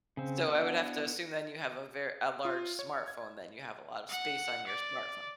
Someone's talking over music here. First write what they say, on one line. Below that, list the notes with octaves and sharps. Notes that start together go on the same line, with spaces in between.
So I would have to assume then you have a ver a large smartphone, then you have a lot of space on your smartphone.
C#3 C4
B3 D4 E4 F#4
F4
C#5
G#6
F#5
D5